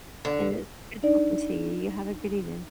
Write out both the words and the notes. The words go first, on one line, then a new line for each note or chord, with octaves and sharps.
and it's good talking to you. You have a good evening.
D3
D4 D#4 D5